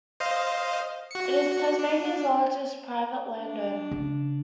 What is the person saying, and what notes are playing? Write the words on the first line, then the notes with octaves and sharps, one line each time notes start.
It is Tasmania's largest private land-owner.
C5 D#5 F5
F#4 C#7
D4
D4
C#3